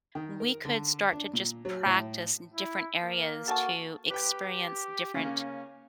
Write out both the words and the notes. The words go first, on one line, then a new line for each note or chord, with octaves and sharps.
we could start to just practice different areas to experience different,
D#3
A#4
D3
D4
A#2
F#3
A2
E4
A#3
F#4 A4 G#5 A5
G4 B4 G5
C#3 A#3 C#4